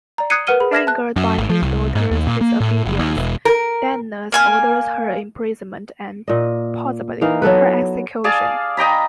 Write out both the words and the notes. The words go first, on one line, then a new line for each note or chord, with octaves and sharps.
Angered by his daughter's disobedience, Danaus orders her imprisonment and, possibly, her execution.
D5 A#5
D#6 F#6 G#6 C7 C#7 D#7
A#4 B4 F#5 F6 D#7 G7
G#4 B5
E5 F6 G#6 A#6 B6 E7
A5 F#6
F#2
G#1
F3
C2
G#2
D#2
A#2
A#3
A2
F#1
D#2
E1
A#4
A#3 G#5 F6
A#2 D#5
E3 A#3 D#4 F5
F#3 B3 A4 B4
G#4 D5 F5 A5
D#5 G5 A#5 B5